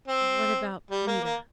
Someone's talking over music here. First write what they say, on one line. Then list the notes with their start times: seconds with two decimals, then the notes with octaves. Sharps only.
"What about--Nita?"
0.08 C4
0.91 G3
1.07 A#3
1.23 A#3